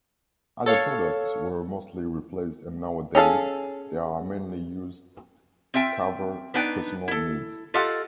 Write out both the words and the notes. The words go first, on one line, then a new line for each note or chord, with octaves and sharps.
Other products were mostly replaced and nowadays, they are mainly used cover personal needs.
A4 C#5 F5
C#4 G#4 A4 F5
C4 F4 E5 G5
B3 D4 D#4 B4 G5
E4 A4
F4 G4 A4 D#5 F5 F#5